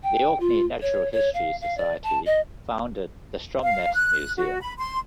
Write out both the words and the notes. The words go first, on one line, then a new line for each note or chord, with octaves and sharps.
The Orkney Natural History Society founded the Stromness Museum.
G5
F4
C#5
C#5
F5
F5
D5
A5
D#5
F5
F#6
F#4
B5
C6